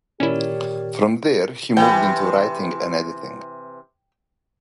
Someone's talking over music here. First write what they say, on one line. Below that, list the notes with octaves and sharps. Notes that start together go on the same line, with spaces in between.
From there, he moved into writing and editing.
A#2 D#3 C#4 E4 G4 A#4 C#5 D5
C3 E3 G5